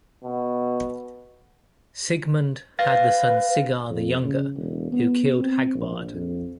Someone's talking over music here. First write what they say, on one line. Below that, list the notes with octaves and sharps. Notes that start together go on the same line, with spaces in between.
Sigmund had the son Sigar the younger, who killed Hagbard.
B2
B4 F5 A6 A#6
F2
C#3
E1
B3
C4
A#1
F2